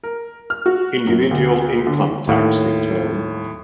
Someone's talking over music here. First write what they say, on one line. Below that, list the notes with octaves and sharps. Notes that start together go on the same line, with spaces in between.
Individual Income Tax Return.
A#4
F6
F#4
F#2
D2
D3
D#2 A2